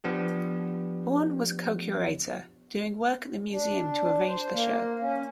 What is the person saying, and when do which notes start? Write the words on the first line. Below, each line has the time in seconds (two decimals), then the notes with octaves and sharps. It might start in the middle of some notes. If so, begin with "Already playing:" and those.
Bourne was a co-curator, doing work at the museum to arrange the show.
0.04 F3 B3 D4 G4
3.51 D4
4.27 C5
4.53 A#3
5.00 C#4